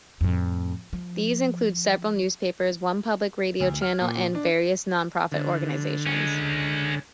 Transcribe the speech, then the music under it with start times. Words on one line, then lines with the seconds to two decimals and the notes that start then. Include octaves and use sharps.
These include several newspapers, one public radio channel and various non-profit organizations.
0.21 F2 A2
0.93 F3
3.60 D2
3.82 F6
4.01 A#2
4.35 D4
5.32 D3
6.06 G#3 C#4